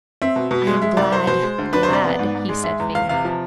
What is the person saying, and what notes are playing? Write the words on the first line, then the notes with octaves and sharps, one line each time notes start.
'I am glad, glad!' he said faintly.
C4 E5
B2
B2
G#3
G#3 E5
C2 D5
C2 C5
B2 C5
G#3
D2
D4 B4
C5
C3 D5
B3
G#2
G#2
G#3
G#3 E5
E2
E2 F5
C3 F5
F3